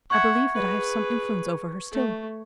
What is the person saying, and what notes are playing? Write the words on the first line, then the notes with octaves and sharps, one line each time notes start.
I believe that I have some influence over her still.
E5 F#5 C#6 G#6 C#7
G#4 B4
A3